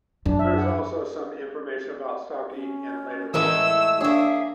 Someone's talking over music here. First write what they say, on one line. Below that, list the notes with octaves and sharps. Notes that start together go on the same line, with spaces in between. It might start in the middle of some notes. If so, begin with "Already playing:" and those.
There is also some information about Stalky in later life.
F#2 D4
E5
G#4 F#5
C#4
A2 E3 G#3 A3 A#4 E6
A#3 D4 G#4 C#5 E5